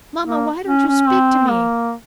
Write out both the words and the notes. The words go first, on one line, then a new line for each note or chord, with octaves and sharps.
Mamma, why don't you speak to me?
A#3
C#4
C#4
C4
A#3